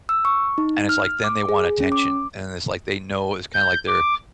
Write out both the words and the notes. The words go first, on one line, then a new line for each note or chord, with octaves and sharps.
And, it's like, then they want attention, and it's like they know it's kinda like they're
E6
C#6
D#4
F6
D6
G#4
C#4
D6
G6
D6